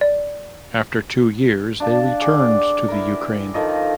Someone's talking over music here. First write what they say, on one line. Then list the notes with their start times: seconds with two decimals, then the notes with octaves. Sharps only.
After two years, they returned to the Ukraine.
0.01 D5
1.80 D4 F5 A5
2.21 G#4 D5 F#5 G5
2.88 E4 A#4
3.54 D#3 F3 A4 D#5